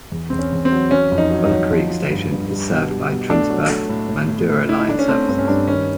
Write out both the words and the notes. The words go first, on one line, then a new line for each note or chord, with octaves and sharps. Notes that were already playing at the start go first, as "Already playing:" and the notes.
Bull Creek station is served by Transperth Mandurah line services.
E2
E2 C4
C#4
E2
C4
F#3
F#3 C#4
F2
D#4
F#3
D#4
F#3
F3
F3
G2
G2
G3
B2
G3
B2
A3 D4
F#3
A3
A2
A2
A2
A2
A2 E4
D#4
A3 D4
C#4
A3 C4
G2 C4
C#4
G2 D4
D#3 C#4